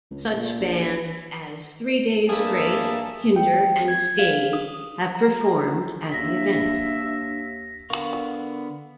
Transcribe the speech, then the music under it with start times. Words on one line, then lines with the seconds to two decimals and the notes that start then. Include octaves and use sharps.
Such bands as Three Days Grace, Hinder, and Staind have performed at the event.
0.11 C#2
0.33 A#2
0.60 A#1
2.28 G2 A#3 G#4 E5 A5
3.36 G5
3.88 G#6
4.19 F5
4.53 D#6
5.15 A#5
6.12 D#2 D4 E5 A#6 B6
7.90 D3 B3 A#4 F5 C#6